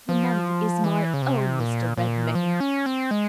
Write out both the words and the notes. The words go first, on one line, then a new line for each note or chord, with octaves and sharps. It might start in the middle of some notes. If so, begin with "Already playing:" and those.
"The money is my own, Mr. Redmain."
F3
E3
C#3
C3
A#2
A#2
F3
C#4
C4
G#3